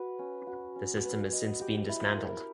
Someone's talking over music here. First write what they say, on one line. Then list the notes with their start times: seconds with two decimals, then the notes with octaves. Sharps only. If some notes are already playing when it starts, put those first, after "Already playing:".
The system has since been dismantled.
Already playing: F#4 B4
0.19 C#4
0.47 F#4
0.76 C#4
1.04 B4
1.33 D#5
1.61 G4
1.89 E4
2.18 A#4